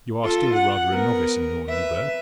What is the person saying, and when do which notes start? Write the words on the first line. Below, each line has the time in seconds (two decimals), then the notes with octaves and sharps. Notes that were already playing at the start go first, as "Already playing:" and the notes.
You are still rather a novice in your new berth.
0.24 F4 A4
0.54 F#5
0.91 B3 A#4
1.69 B4 E5